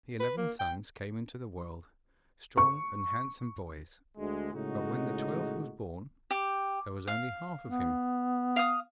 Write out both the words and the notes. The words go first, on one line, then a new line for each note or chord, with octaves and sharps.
The eleven sons came into the world, strong and handsome boys; but when the twelfth was born, there was only half of him.
B4
A#3
G5
C#6
D2 G#3
A2 C#3 G#3 D#4 F#4
G4
F5
B3
F5 D#6